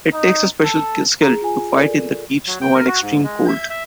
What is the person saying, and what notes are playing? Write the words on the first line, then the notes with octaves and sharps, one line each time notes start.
It takes a special skill to fight in the deep snow and extreme cold.
D#4
A4
G#4 A#5
F4 G#5
A4 A#4 D5
F#3
G5
A#4
F#4
G#2
G#3
E5
E5